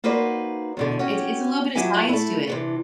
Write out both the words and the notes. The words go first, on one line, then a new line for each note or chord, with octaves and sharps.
It's it's a little bit of science to it.
A#3 D#4 F#4 B4 C5 D5
E2 B2 D3
C#4 F#4 G4
F2 A#2 F#3 E4 G4 G#5
A3 E4
C3 E3 D4